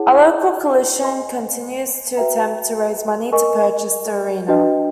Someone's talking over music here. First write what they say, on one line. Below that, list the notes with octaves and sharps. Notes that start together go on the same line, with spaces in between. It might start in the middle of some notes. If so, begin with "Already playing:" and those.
A local coalition continues to attempt to raise money to purchase the arena.
Already playing: E4 G#4 C#5 F#5 A5
C5 D#5 G#5 C6
F#4 B4 E5 G5 A#5
A#4 D#5 G#5 C#6
D4 F#4 B4 D#5 G5